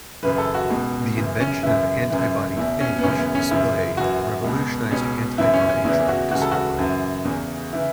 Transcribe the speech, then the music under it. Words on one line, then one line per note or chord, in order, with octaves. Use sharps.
The invention of antibody phage display revolutionised antibody drug discovery.
F#2 C#3 E3 B4
A4
F#4
C#2 B2
F#2 C#3 E3
C#4
F#2 C#3 E3 E4
F#2 C#3 E3
E2 B2 E4
C#4
B3
F#2 C#3 E3 C#4
B3
C#4
F#2 C#3 E3 E4
F#2 E3 F#4
C#2 B2
C#2 B2 C#4
F#2 C#3 E3 E4
C#4
C#4
E2 C#3 E3 E4
F#4
C#2 C#3 E3 F#4
A4
F#4
F#2 C#3 E3
E2 C#3 E3
C#3 E3 E4